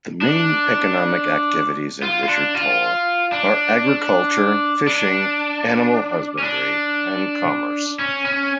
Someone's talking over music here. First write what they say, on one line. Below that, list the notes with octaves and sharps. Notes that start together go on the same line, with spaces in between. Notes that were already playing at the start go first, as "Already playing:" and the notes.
The main economic activities in Richard Toll are agriculture, fishing, animal husbandry, and commerce.
D4
F4
F4
D4
F4
D4
D4
C#4
D4
C#4
C#4